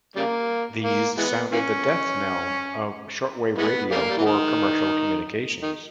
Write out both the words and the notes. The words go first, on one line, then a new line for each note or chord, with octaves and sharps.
These sounded the death knell of shortwave radio for commercial communications.
C#3 G3 A#3
A#3
E3 G#3 B3
E3 A#3 C#4
E3 G#3 B3
C#3 G3 A#3
G3
E3
D#3
D#3